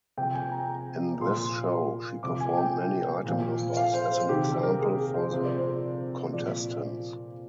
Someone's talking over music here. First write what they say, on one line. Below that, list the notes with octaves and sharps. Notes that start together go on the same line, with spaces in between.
In this show, she performed many item numbers as an example for the contestants.
C3 F3 G5
G#5
A#5
A#2 F3 C6
C3 F3 D6
G#5
G5
A#2 F3
F5
C5
C5
C3 D#3 G4
A#4
G#4
G#4
C5
C3 F3 C5
D5
C5
A#2 F3 D5